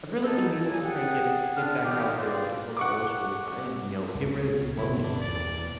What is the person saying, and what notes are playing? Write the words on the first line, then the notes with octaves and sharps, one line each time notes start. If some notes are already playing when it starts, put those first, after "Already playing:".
I've really been meaning to try and get get back out there, get more social, try and, you know, get rid of this loneliness a little bit.
B2 D#4 G#4 A4
A#2 F#3 G4 G#5
G4 G#4 D5 F#5
D3 D4 F6
C2 C3 E3 B3 D#4 G4
F4 A4 B4 C5 D5
F#5 C#6 D6
C#2 A2
G1 B2 B3 E4
D4
E2 A#2 E3 D5